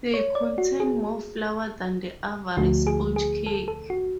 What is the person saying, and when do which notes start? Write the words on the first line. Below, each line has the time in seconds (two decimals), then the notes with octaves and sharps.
They contain more flour than the average sponge cake.
0.14 C#5
0.35 D5
0.58 F#4
0.80 G#4
2.57 D2 D3 F3 A3 F#4
2.87 G#4
3.16 G#4
3.46 A4
3.68 A4
3.90 F#4